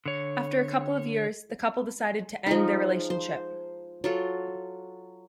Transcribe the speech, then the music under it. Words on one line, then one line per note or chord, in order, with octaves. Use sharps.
After a couple of years, the couple decide to end their relationship.
D3 C#5
F3 G#3 D#4
C5
F#3 F4 A4